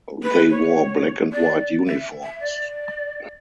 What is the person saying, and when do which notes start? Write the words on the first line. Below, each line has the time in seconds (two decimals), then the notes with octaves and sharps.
They wore black and white uniforms.
0.22 B4
0.50 C#5
1.32 D5
1.86 E5
2.22 E5
2.40 D5